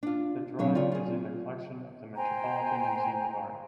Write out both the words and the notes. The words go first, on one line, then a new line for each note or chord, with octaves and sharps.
The drawing is in the collection of the Metropolitan Museum of Art.
D4 F4
B2 D3 F#3 C4 C#5
F4 G4 C#5 D5
F4 G#4
C5 G5 G#5 A#5